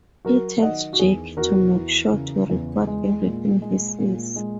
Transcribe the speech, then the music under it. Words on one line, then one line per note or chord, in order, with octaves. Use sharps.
He tells Jake to make sure to record everything he sees.
F#3 F#4 A#4
D#3 D#5 F#5
F#4
E2 G#4
E2 F#4 A#4
E3
C#3
E2
G#3
A#2
G#3
A#2
G#3